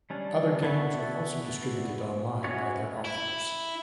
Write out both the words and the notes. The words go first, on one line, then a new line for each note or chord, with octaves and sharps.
Other games were also distributed online by their authors.
G3 C#4 D4
B3 D4 E4 F#4 A4
B3 C#4 E4 F#4 C#5
E4